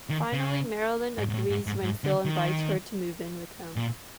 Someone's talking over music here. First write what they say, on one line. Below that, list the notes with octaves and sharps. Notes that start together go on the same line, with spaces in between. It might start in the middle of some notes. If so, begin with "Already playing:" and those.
Finally, Marilyn agrees when Phil invites her to move in with him.
D#3
C#3
G#2
G#2
A2
G#2
G#2
G#2
D3
D#3
A#2